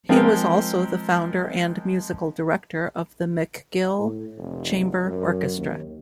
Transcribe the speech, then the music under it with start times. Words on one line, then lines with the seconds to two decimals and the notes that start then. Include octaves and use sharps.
He was also the founder and musical director of the McGill Chamber Orchestra.
0.09 F3 G#3 C4 A#4
3.99 A2
4.38 F1
5.06 F#2
5.58 D#2